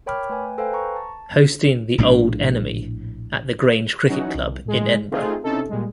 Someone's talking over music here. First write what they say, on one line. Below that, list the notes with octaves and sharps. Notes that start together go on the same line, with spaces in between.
Hosting the Auld Enemy, at the Grange Cricket Club in Edinburgh.
A#4 C#5 G5 B5 D6 F6
A3 B4 G5 G#5
A4 B4 C5 F5 G5 G#5
A#5 C#6
A5
A#1 A2 G3 D4
E3 F#3 C#4 D#4 F#4
C2
A2 G#3
A3 C4 D#4 F4 G#4
C3 C#4 D#4 E4 A4
A#2 G3 G#3